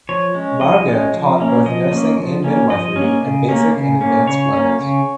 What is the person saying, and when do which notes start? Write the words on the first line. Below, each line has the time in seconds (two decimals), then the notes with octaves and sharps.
Marga taught both nursing and midwifery at basic and advanced levels.
0.09 F3 C#5
0.34 G#3 C#4
0.61 F3 D#5
0.87 G#3 C#4
1.14 F3
1.40 A#3 C#4
1.66 F3 D#5
1.92 A#3 C#4
2.18 F3
2.44 A#3 C#4
2.70 F3 D#5
2.96 C#4
3.01 A#3
3.22 C#3
3.49 A#3 C#4
3.75 C#3
4.01 A#3 C#4
4.27 C#3 C#5
4.53 A#3 C#4
4.79 C#3